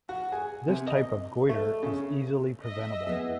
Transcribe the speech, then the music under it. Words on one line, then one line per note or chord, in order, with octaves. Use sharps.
This type of goiter is easily preventable.
F#4
G#4
C3
D#5
A3
C#3
D#5 E5
B3 E4 G#4